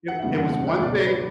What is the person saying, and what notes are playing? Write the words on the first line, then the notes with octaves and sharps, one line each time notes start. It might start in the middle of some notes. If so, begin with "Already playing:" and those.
It it was one thing
F#5
E5
F#1 E2 C#3 E3 G3 F#5
F#5
F#5
E5
C#2 B2 F#3 D5
C#5
B4